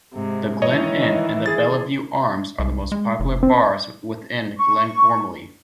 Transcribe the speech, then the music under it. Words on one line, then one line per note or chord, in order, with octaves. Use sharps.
The Glen Inn and the Bellevue Arms are the most popular bars within Glengormley.
G#2 C3
D#3 E3 C#5 D#5
G#4 A6
C2
G#3
F1
C4
C#6